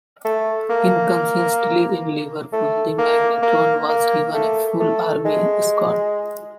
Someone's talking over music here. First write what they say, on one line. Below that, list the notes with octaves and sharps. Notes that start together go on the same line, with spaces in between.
Inconsistently, in Liverpool, the magnetron was given a full Army escort.
A3
A#3
A3
A#3
A#3
A#3
A3
A3
G#3